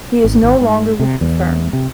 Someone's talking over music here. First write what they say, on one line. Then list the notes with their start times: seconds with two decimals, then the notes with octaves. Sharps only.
He is no longer with the firm.
0.24 G#1
0.43 G#1
0.61 G#2
1.00 C3
1.21 E2
1.73 C3